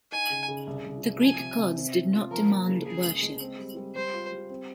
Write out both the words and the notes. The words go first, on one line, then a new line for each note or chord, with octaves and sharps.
The Greek gods did not demand worship.
D#4 G#5
C#3
C#3
C2
C2
C2
F3 G#5
C3
C3
C4
C4
F4
F3 A#4
A#3
C#3
C#3 G#4
C#2
G#3
C4
G3
G3
G3 C5
F4
G3
C4